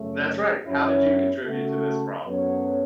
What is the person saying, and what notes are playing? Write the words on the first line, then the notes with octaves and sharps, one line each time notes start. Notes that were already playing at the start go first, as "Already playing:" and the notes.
That's right. How did you contribute to this problem?
Already playing: F#2 C#3 A3
F#2 F#3 C#4 E4 C#5
C#3 A3 F#4 A4
F#2 F#3 B3 A4 C#5